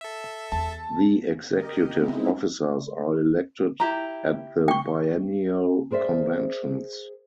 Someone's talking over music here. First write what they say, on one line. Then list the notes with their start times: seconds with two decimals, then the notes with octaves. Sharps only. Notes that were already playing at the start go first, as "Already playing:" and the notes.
The Executive Officers are elected at the biennial conventions.
0.01 A4 E5
0.52 E2 A5
1.49 G4 A#4 D#5
1.94 G#3 B3 C4 D#4 E4
3.80 E4 G4 A#5
4.68 G5 C#6
5.91 G#4 A#4 C5 D5 E5